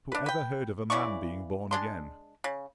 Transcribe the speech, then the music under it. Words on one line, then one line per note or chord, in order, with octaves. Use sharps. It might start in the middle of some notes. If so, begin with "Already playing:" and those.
Who ever heard of a man being born again?
D4 B4
B4 G5
C#3 E3 D5 C#6
G#3 D4 C6
C#3